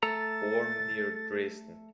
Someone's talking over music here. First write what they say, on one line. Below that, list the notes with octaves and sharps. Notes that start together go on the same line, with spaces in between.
Born near Dresden.
A3 A4 A#5 A6